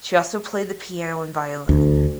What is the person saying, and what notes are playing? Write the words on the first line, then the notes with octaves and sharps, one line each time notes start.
She also played the piano and violin.
D2